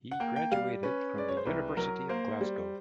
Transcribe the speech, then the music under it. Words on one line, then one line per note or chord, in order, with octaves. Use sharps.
He graduated from the University of Glasgow.
F#5
A#3 G5
G5
G3 F5
C#4 B4
G#3 D5
C#5
C5
C2 B4
F#3 A#4
A#3 C5
G3